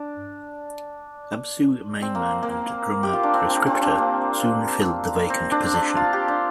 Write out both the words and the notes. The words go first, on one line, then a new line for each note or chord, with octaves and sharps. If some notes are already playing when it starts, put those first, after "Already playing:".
Absu mainman and drummer Proscriptor soon filled the vacant position.
Already playing: D4
C4
A#3
A#3
G4
F4
D4
C4
C4
C4
D4
A#3
C4
D4
D4
F4
G4
D4